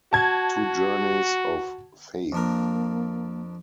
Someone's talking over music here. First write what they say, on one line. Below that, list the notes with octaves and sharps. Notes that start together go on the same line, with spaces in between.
Two Journeys of Faith.
F#4 A5 G#6
F2 A#3 D4 A#4